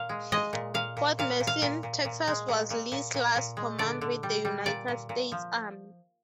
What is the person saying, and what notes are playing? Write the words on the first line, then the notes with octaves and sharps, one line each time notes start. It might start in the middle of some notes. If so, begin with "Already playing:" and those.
Fort Mason, Texas was Lee's last command with the United States Army.
Already playing: A#2 F5
G#3
G#3 D#5
A#2
A#2 F5
A#2
A#2 F5
A#2
F5
A#2
A#2
A#2
G#3
A#2
A#2
A#2
A#2
A#2
G#3
D3 D5
D3
G3
G3
A#2 D5
A#2
A#2
F3